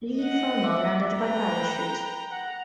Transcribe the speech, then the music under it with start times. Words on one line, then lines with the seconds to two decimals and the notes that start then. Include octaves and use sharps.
Leigh Fermor landed by parachute.
0.17 D#5 F#5
0.61 E5 D6
1.18 B4 G5 A#5
2.31 F#5 A#5